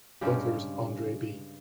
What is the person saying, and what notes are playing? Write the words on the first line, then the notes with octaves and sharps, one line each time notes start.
Butler's Andre B.
G2 C#3 G#3 G4